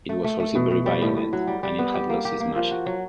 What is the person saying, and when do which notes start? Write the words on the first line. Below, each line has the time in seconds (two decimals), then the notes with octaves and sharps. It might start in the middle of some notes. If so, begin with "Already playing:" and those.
It was also very violent and it had lost its magic.
0.09 A3
0.24 A3
0.40 A3
0.55 B2
0.71 B2
0.86 G3
1.02 A2
1.17 A2
1.33 F#3
1.47 G3
1.63 G3
1.79 B3
1.94 G4
2.10 A#3
2.25 G4
2.40 A#3
2.56 F3
2.71 F#4
2.86 F#3